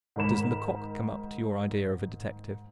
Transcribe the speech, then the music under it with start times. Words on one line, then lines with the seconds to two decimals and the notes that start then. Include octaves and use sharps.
"Does Lecoq come up to your idea of a detective?"
0.16 G#2 D#3 A#4 B5 E7